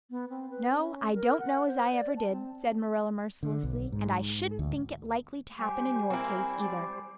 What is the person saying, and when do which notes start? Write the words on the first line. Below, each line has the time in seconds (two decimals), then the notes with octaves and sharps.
"No, I don't know as I ever did," said Marilla mercilessly, "and I shouldn't think it likely to happen in your case either."
0.10 B3
0.30 C4
0.51 B4
0.70 C#4
1.14 A#4
1.39 F#5
1.67 C5
1.92 D5
2.17 A5
2.31 C4
3.43 D3
3.63 B1
3.92 G#2
4.59 D2
5.59 G3 G4 C5 G#5
6.10 A#3 C4 E4
6.53 D5